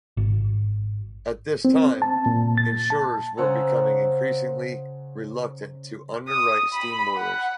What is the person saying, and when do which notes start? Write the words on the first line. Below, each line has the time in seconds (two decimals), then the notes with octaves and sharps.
At this time insurers were becoming increasingly reluctant to underwrite steam boilers.
0.17 G#1
1.65 C4
2.02 A5
2.26 A#2
2.58 A6
2.90 A5
3.37 C#3 C#4 C5 F#5 A#5 E6
6.28 D#6
6.74 B5
7.17 F#5